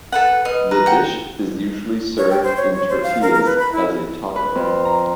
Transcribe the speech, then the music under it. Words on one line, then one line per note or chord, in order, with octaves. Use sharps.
The dish is usually served in tortillas as a taco.
A4 B4 F#5
B4 D#5
B4 A#5
F#5 G5
C#5
G5
C5
C#5
C#5
C5
F5
A#4
A#4
B4
B5
E4
B4
F2
A#5